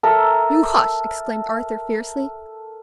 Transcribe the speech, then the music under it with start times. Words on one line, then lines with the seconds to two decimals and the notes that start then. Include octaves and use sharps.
"You hush!" exclaimed Arthur fiercely.
0.03 A4 A#4 E5 A#5